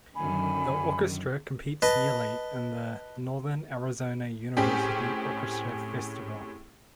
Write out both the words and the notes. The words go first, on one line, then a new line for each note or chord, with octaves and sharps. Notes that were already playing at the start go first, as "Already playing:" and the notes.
The orchestra competes yearly in the Northern Arizona University Orchestra Festival.
F#2 D3 D#3 G#5 B5
B4 D#5 A5
A2 C4 C#4 G4 G#4